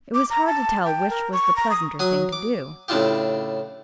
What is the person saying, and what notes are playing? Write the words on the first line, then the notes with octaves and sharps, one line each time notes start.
It was hard to tell which was the pleasanter thing to do.
D6
A#5
A5
G5
A#4
C#6
A#5
D#6
F#3 G#5 D#6
D6
A2 C#3 D4 E4 F4 G4